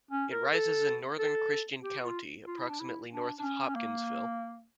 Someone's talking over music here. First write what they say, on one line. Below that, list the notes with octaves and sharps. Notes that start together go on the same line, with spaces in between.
It rises in northern Christian County, approximately north of Hopkinsville.
C#4
A#4
A4
A4
G4
F4
F4
E4
D4
E4
D4
D4
C#4
C#4
A#3